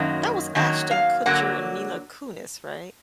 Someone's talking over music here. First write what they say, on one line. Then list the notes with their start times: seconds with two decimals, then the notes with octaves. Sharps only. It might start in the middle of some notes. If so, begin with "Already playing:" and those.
That was Ashton Kutcher and Mila Kunis, right?
Already playing: F#2 D#3 F#3 A#3
0.55 F#2 D#3 F#3 A#3 F#5
0.91 F5
1.26 D3 F#3 A#3 F#5